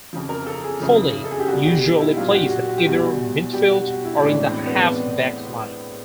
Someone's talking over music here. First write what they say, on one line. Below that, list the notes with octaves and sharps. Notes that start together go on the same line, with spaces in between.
Foley usually plays at either midfield or in the half-back line.
F2 C#3 F3
A#4
A4
G#4
F#2 C#3 F3
A4
G#4
G4
B2 G3 F#4
G4
G#4
D#4
E4
A#2 F#3 F4
F#4
G4
F#4
F#4
G4
E2 B2 G3 F#4
B2 G3 G4
F#4
F#4
E4
C#4
A2 E3 G#3 D4
C4
B3